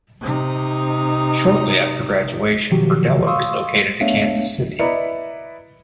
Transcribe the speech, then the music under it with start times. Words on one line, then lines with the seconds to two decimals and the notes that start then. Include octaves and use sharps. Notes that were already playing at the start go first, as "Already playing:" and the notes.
Shortly after graduation, Berdella relocated to Kansas City.
0.21 C3 D#4
2.71 B2 D#3 F3 F#3 F#4 G4
3.27 F5 C6 C#6 D#6 E6
4.01 A3 B3 D4 C#5 E5 F5
4.79 E4 B4 D5 D#5 A#5 C#7